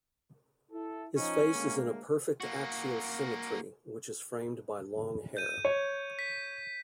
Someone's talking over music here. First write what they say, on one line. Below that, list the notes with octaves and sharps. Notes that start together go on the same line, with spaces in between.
His face is in a perfect axial symmetry which is framed by long hair.
E4 A4
F3 C#4 D#4
D2 G#3 A#3
A#3 F#4
G6 D#7
C#5
B6